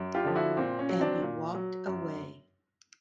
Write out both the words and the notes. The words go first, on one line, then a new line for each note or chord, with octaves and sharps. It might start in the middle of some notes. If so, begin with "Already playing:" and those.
And he walked away.
Already playing: F#2
F4 G4
D3 F3
E4 F#4
A#2 C4
C#4
F#3
C4 D4
A#2
F#3
F#2